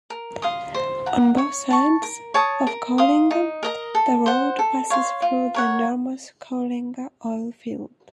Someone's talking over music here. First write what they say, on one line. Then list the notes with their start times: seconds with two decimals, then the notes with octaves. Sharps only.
On both sides of Coalinga the road passes through the enormous Coalinga Oil Field.
0.10 A#4
0.42 F5 C6 D#6
0.74 C5
1.06 F#5 A#5
1.38 C#5
1.70 A5 C#6
2.03 A#4
2.34 C#5 A5 D#6
2.67 A#4
2.98 F5 C6 D#6
3.31 D#4
3.63 A#4 D#5 A#5
3.95 A4
4.26 C5 F#5
4.59 A4
4.90 C#5 F5 C6
5.22 F4
5.54 A#4 C#5 F#5